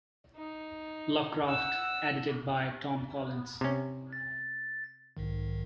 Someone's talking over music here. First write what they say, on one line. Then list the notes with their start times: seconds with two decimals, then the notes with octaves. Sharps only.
Lovecraft, edited by Tom Collins.
0.37 D#4
1.46 F#5 E6
3.61 C3 C#4
4.13 A6
5.17 B1 G#2 D#3